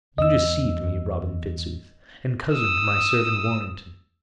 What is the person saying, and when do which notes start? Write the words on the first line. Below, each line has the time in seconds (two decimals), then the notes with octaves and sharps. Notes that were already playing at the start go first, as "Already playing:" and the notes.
You deceived me, Robin Fitzooth, and cozened my servant Warrenton.
0.18 E2 D#5 E6
2.53 D#6 E6